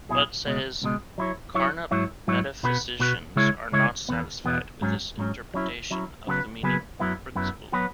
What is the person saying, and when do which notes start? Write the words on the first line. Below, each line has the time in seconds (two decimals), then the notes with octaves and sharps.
But-says Carnap-metaphysicians are not satisfied with this interpretation of the meaning of 'principle'.
0.09 B2 F#3 E4 G#4
0.45 C#2 B2 G#3
0.82 C#2 B2 G#3
1.18 F#3 E4 C#5
1.54 F#3 E4 C#5
1.91 G#2 F#3 E4 C#5
2.27 G#2 F#3 E4 C#5
2.63 B2 B3 F#4 B4
3.00 B2 B3 F#4 B4
3.36 C#3 G#3 E4 C#5
3.72 C#3 G#3 E4 C#5
4.09 E2 B2 B3
4.45 E2 B2 B3
4.81 G#2 F#3 C#4
5.18 G#2 F#3 C#4
5.54 F#3 C#4 E4
5.91 F#3 C#4 E4
6.27 C#3 F#3 B3 G#4 B4
6.63 C#3 F#3 B3 G#4 B4
6.99 F#2 F#3 B3 E4
7.35 F#2 F#3 B3 E4
7.72 F#3 B3 F#4 B4